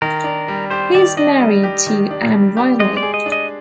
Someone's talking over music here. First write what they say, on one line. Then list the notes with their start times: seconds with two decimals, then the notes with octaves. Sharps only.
He is married to Anne Riley.
0.02 D#3 A#4
0.24 D4
0.48 G3
0.71 G4 C5
0.95 D#3 D5
1.17 D4 D#5
1.41 G3
1.63 G4
1.87 D#3
2.11 D4
2.33 G3
2.57 G4
2.80 G#3 D#5
2.97 D5
3.03 G#4
3.14 D#5
3.26 D4
3.32 D#5